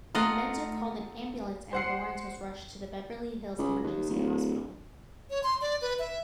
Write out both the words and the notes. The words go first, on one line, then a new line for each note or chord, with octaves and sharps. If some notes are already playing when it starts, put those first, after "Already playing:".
Menzer called an ambulance and Lawrence was rushed to Beverly Hills Emergency Hospital.
A3 F4 D#5 F#5 A#5
C5 F#5 C7
C#2
D#2
D1
C#5
C6
D5
B4
E5